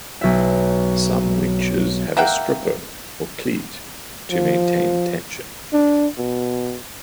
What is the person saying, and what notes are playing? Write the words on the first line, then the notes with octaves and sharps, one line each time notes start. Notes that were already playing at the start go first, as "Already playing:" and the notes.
Some winches have a "stripper" or cleat to maintain tension.
B1 E5
A#3 E5 F#5 G5
F3
D4
B2